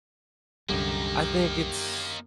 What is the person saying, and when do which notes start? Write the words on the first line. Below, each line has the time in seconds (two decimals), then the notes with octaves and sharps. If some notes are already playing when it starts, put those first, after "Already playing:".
I think it's
0.69 C2 F#2 D3 G3 A#3 D#4 G4